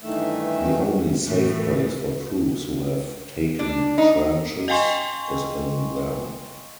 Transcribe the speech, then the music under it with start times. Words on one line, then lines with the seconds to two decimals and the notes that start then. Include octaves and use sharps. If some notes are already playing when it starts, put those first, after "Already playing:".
The only safe place for troops who have taken trenches is in them.
0.03 G2 D#3 E3 A3 E5
1.25 A2 E3
3.59 D4
3.98 D#4
4.68 D#5 F5 G5 G#5 C6 C#6